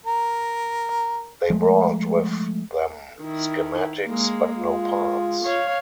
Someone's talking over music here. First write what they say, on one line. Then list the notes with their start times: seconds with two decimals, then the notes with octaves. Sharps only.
They brought with them schematics, but no parts.
0.06 A#4
1.50 F3 G#3 A3
3.22 D#3 E4
4.06 G#3 A#3
4.56 G#3 F4
5.44 C#5 F5